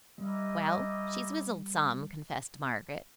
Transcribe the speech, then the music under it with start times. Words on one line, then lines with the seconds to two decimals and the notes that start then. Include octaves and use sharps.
"Well, she's wizzled some," confessed Margaret.
0.18 G3 E4 G4 A#4 D#5